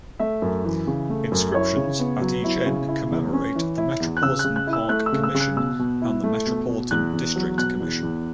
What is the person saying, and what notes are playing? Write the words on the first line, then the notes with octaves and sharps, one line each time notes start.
Inscriptions at each end commemorate the Metropolitan Park Commission and the Metropolitan District Commission.
A3 E5
F#2
E3
C#3
A3
F#2
E4 C#5
C#3
B3
F#3
E4
C#3
E4
E2
C#4
E3
E4
E2
F#6
C#3 E6
F#6
C#3
F#6
E4
E6
A3 F#6
E6
C#3
E6
C#3
F#6
B2 E6
B2
E4
A3
B2
B2
E2 F#6
E2
F#3
B2 F#6
E2
E2